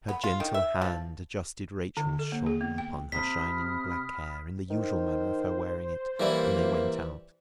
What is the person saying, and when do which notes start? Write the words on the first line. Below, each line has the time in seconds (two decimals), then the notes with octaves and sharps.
Her gentle hand adjusted Rachael’s shawl upon her shining black hair in the usual manner of her wearing it, and they went out.
0.09 B3
0.24 F4
0.40 D#3
0.54 E5
0.81 F3
1.97 D3
2.19 A4
2.32 A#3
2.46 G#4
2.61 B3
2.78 G5
3.12 C3 B5 D#6 F6 B6
4.71 D#3 C5
6.20 E3 G3 A#3 E4